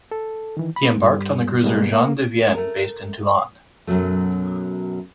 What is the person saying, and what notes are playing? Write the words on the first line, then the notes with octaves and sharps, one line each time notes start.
He embarked on the cruiser Jean de Vienne based in Toulon.
A4
D#3 E3
B5
G2 G3
B2 G3 G#3 A#3 B3
A#3
A3 A#4
F#2 B2 F#3 A3